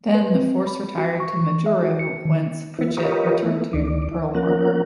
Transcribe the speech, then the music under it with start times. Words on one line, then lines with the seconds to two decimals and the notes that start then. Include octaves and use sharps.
Then, the force retired to Majuro, whence "Prichett" returned to Pearl Harbor.
0.15 B4
0.35 C4
0.67 B5
0.98 F#4
1.20 C#6
1.41 E3
1.66 E5
1.83 F#4
1.99 C#7
2.25 D#3
2.79 E3 B3 E4
2.97 F4 G4 A#4 B4 C#5 D#5
3.43 A3 B3 E4
3.73 D2 D#3 D5
4.11 E4
4.35 F3 A#3 C#4 A#4 F#5